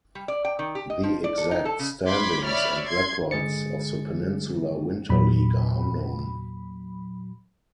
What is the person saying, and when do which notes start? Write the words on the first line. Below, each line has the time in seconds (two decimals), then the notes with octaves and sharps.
The exact standings and records of the Peninsula Winter League are unknown.
0.15 G3
0.28 D5
0.45 G5
0.59 D#3
0.75 G4
0.90 D#5
1.03 F3
1.24 D5
1.38 A4
1.51 D#4
1.65 A4
1.79 C#3
2.07 B5 C6 D6 G#6 B6
2.43 C#5 D5 E5 B5 F6
2.86 C6 G#6
3.31 D3 G#3 G#4 A6 C#7
5.09 E2 A#2 F#3 B5